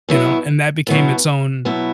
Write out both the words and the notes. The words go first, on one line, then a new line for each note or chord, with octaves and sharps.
you know, and that became its own
B2 F#3 B3 E4
B2 F#3 B3 E4
B2 F#3 B3 E4